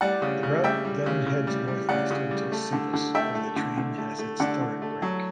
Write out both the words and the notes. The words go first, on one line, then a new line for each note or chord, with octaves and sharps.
The route then heads north-east until Sivas, where the train has its third break.
G3 D5 F#5
C#3
C#3
G3 E5 G5
G3
C#3
C#3
G3
G3
C#3 D5 F#5
C#3
G3
A3
D3
D3
A3 E5 G5
A3
D3
D3
A3
A3
D3 D5 F#5
D3
A3
F#3